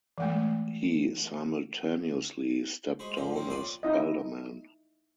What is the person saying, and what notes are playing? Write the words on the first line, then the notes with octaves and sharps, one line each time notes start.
He simultaneously stepped down as alderman.
E3 G#3 A3
G#3 C5 B5 C#6 D#6
F2 D3 F3 A#5
F2 A#3 C4 C#4
F2 B4 C#5 D5 C6 D6
D#4 E4 D#5